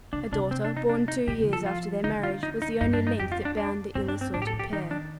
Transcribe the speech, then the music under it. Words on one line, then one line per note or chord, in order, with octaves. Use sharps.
A daughter, born two years after their marriage, was the only link that bound the ill-assorted pair.
C3 D4
C3 D4
C4
D4
D#4
D4
D#4
A#2 G4
F3
A4
F4
D3 D#4
F4
D#4
D#4
G2 D#4
D4
D#4
F2 G4
F4
D4
D4
G2 C4
D4
C4
A2 D4
G4
A4
F3
G4
D#3 D#4
D4